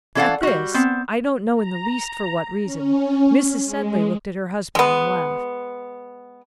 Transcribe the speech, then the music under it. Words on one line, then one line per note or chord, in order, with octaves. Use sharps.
At this, I don't know in the least for what reason, Mrs. Sedley looked at her husband and laughed.
E3 C#4 A4 D5 F5 F#5
G3 F#4
B3 C4
A#5
C#4
G#3
G#3 B3